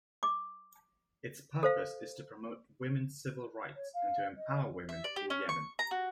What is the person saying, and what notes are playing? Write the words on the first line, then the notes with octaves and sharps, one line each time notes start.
Its purpose is to promote women's civil rights and to empower women in Yemen.
D6
A4 C5 F5
C#5
F5
D#5
E5
D5
G4
C#4
C#6
A#5
F#4